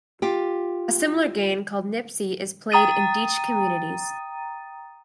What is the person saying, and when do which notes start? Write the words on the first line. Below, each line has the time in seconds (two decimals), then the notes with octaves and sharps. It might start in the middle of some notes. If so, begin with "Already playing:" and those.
A similar game called Nipsi is played in Deitsch communities.
0.22 F4 G4
2.72 G5 A#5 D#6 A6 D#7